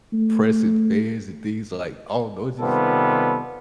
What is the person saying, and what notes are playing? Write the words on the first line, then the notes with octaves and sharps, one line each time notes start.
pressing fans and things, like, I don't know, it's just
A3
C3 D#3 G3 B3 F4 A4